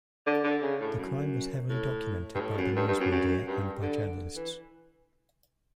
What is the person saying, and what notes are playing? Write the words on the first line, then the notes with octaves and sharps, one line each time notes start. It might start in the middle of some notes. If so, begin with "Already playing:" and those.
The crime was heavily documented by the news media and by journalists.
D3
D3
C#3
A2
F#2
A2
G2
A2
F#2
G2
G2
F#2
F#2
G2
D3
E3